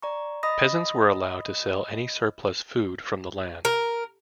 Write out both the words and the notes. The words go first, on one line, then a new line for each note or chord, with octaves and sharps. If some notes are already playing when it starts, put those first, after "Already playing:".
Peasants were allowed to sell any surplus food from the land.
D5 A#5 C#6
D#5 B5 D#6 A#6
A#4